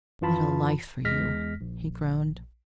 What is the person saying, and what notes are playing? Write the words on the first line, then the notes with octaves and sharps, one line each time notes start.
"What a life for you!--" he groaned.
F#2 E3 F4 A5 B5
E2 G#3 F6 A#6 B6
A#1